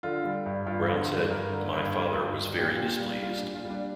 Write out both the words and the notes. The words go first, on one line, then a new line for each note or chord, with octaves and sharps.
Brown said, My father was very displeased.
D3 F4
G3
G2
G2 F4
D3
G2
G2 A#4
D3
G2
G3 A#4
G2
G2
A#2 G4
A#2 G4
G3
G3 F4
D4
A#2
F4
G3
D4